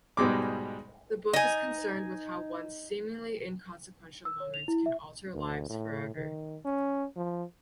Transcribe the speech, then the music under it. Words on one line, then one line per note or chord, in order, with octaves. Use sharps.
The book is concerned with how one seemingly inconsequential moment can alter lives forever.
G#2 B2 G3 G#3 D6
D#4 G#5
E6
C#5
F7
E4
E5
D2
A2
D#3
C#4
F3